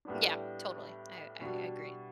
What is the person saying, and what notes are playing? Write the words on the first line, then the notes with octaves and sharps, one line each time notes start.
Yeah, totally. I I agree.
A2 G3 B3 D4
B2 G3 D4